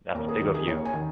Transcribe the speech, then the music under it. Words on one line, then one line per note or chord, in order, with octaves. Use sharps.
That's big of you.
D#2 A#4
G#4
D#3 G4
G#4
D#2 C#5
G#5
D#3